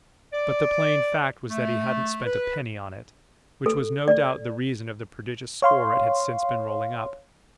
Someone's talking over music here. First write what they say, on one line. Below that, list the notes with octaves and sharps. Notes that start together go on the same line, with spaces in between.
But the plain fact was that he hadn't spent a penny on it; which was no doubt the reason of the prodigious score it had since been rolling up.
D5
A3
B4
A4
D5
C#5 F5 C6